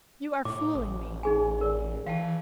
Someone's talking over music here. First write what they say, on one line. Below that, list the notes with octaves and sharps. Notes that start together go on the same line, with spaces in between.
"You are fooling me."
A2 D6
A1 D#6
D#4 G#4 G#5
A#4 D5
E3 F5 G5 A5